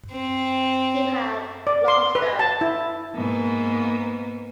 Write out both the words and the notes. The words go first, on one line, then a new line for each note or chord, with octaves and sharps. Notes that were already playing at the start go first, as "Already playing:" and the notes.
He had lost her.
C4
D5
C6
B4
A5
E4
G#2 A#3 B3